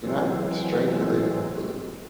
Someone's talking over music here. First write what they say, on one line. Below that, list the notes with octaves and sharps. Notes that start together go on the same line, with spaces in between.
you're not strangulating the balloon,
E3 F#3 G#3 C4